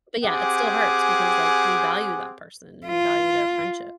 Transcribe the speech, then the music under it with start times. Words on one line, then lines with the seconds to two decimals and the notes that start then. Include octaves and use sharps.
But yeah, it still hurts because, like, we value that person and we value their friendship.
0.24 C4 G4 G#4 F#5 G#5 D6
2.86 F4